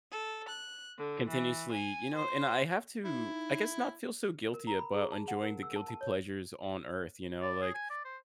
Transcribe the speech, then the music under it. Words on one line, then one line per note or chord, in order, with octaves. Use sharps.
continuously, you know and I have to, I guess, not feel so guilty about enjoying the guilty pleasures on Earth, you know, like,
A4
F#6
D3
E3
G#5
C5
D#4 E4
A#4
A#5
B5
G#4
A5
F#5
A#4
E6
A5
A5
C#5
D5
G#4
G#5
D5
C5